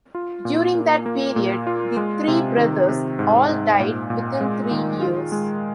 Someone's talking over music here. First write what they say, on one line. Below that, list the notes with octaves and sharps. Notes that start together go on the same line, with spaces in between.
During that period, the three brothers all died within three years.
F4
A#2
A#3
A#3
A#2
F4
G#3
C3
D#3
C3
G#2
G#2
A#2
A#2
G#3
D#3
F4
G#3